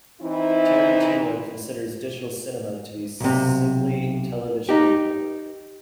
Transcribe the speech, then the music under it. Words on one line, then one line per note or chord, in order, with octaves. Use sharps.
Tarantino considers digital cinema to be simply television in public.
E3 C4 D#4 E4
B1 C3
D#4 G4